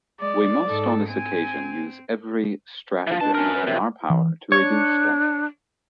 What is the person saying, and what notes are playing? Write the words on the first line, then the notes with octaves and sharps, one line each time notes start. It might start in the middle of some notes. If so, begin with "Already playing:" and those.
We must on this occasion use every stratagem in our power to reduce them.
G#3 D5
G#2 A4
C4 G#5
E3 F3
B2 D4 A5
C#4 A#4
F#2 B4
C3
E3
D4 C#5